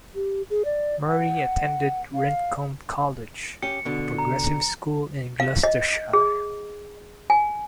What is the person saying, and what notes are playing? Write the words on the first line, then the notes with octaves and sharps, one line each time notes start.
Murry attended Rendcomb College, a progressive school in Gloucestershire.
G4
G#4
D5
F#5
F5
C#4 G4 C#7
B2 D3
A#5
F5
D#5
G#4
G#5